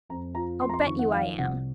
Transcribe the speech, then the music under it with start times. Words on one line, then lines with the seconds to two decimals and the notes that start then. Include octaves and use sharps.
"I'll bet you I am!"
0.09 F2 A#5
0.35 F4 A#5
0.61 F2 C6
0.69 A#5
0.74 C6
0.86 D#3 C#6
0.99 F#5
1.12 F3 F5
1.38 C2 F#5